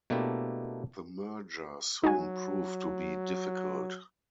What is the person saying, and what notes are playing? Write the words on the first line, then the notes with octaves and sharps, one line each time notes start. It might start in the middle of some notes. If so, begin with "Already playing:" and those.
The merger soon proved to be difficult.
B2 A3 A#3 D4 E4 G4
F#3 D#4 F#4 G#5